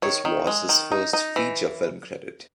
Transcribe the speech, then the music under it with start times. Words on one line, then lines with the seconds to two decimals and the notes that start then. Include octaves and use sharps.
This was his first feature film credit.
0.02 D#3 C#5
0.25 D#3
0.47 G#3
0.69 D#3
0.92 D#4
1.13 D#4
1.36 E3